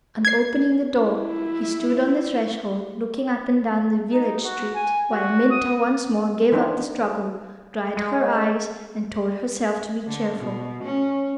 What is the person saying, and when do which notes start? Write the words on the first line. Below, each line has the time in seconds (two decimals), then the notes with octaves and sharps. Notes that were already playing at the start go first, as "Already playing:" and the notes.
And opening the door he stood on the threshold looking up and down the village street, while Minta once more gave up the struggle, dried her eyes, and told herself to be cheerful.
0.25 G#6 C7
1.02 E4
4.13 D#4
4.45 F#4
4.75 G#5
5.12 F#4
5.51 D#6
6.52 E3 C4 D4 D#4
7.97 G#3
10.07 D3
10.37 B2
10.83 C#4